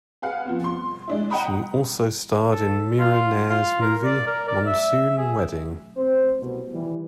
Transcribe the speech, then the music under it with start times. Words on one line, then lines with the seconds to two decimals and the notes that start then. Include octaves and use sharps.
She also starred in Mira Nair's movie "Monsoon Wedding".
0.22 G#4 B4 F5 F#5
0.45 F3 B3 C4
0.64 C6
1.08 G#3 D4 E4
1.30 D#5 F#5 G5 A#5 B5 D#6
2.51 A4
2.99 F4
3.50 F4
3.82 A#4
4.04 D5
4.27 A#4
4.48 D5
4.66 E5
5.18 G#4
5.97 C4 C5
6.40 C2 B2
6.73 D#3 E3 G3